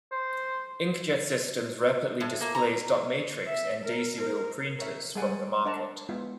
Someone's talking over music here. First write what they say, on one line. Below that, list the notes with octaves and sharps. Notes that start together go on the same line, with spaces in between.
Inkjet systems rapidly displaced dot matrix and daisy wheel printers from the market.
C5
A2
A#3
A#5
E5
A#4
A#4
A#4 C#5 E5
G3 G#3 G#4 D5 F#5 G#5
D4 A#4 F#5 A5 A#5
G#3 B3 E4 F4